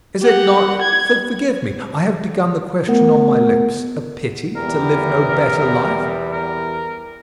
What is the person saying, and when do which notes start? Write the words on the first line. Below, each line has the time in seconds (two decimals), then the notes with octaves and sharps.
"Is it not--forgive me; I have begun the question on my lips--a pity to live no better life?"
0.20 G4 F#5
0.81 G#6
2.87 A3 B3 A#4 F#5
4.56 E2 G3 A#4
6.32 A#4